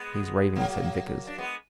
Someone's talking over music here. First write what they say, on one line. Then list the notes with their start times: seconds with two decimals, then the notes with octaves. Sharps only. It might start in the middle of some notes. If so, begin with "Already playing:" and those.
"He's raving," said Vickers.
Already playing: G#3 B3
0.55 F#3 A#3
1.27 D4
1.38 G#3 B3